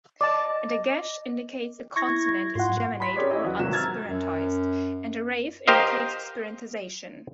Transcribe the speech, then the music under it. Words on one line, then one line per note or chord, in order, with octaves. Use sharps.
A "dagesh" indicates a consonant is geminate or unspirantized, and a "raphe" indicates spirantization.
D5 D#5 A5 D6
E4 C#6 G#6 A#6
G#2 F4 F#5 C6
B5 C6 B6
C#4 G4 G#4 A#4 C#5 D5
C#4 E4 G4 D#5
E2 F#3 F#4
G#1 C3 F#3 A#3 E7
A#5 E6 F6 G#6 A6
F#2
G4 A#4 C5 D#5 F5